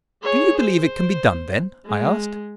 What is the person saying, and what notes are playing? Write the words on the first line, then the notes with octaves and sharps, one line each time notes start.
"Do you believe it can be done, then?" I asked.
G#4 C#5
C5
G#3